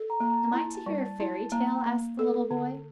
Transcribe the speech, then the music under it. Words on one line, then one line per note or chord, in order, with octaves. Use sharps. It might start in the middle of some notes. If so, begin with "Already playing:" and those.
"Am I to hear a fairy tale?" asked the little boy.
Already playing: A4
A#5
A#3 A#5
A5
E4 A5
A5
G3
A5
E4 A5
A#3 A#5
A#3
A4
D3